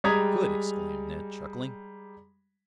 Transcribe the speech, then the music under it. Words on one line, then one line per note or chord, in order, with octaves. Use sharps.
"Good!" exclaimed Ned, chuckling.
G3 G#3 A#5 D#6 G#6 B6